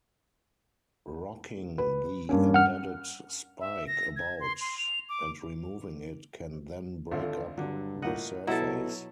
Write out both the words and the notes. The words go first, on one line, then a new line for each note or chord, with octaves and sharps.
Rocking the embedded spike about and removing it can then break up the surface.
B4
G2 A#3 C#4
F#5 F6
E5
A#6
G#6
C6
C6
F7
D6
G#1 D2 F4 A4 E5
G2 D3 F#3
A2 A#3 D#5 F#5
B2 F#3 E4 A4 D#5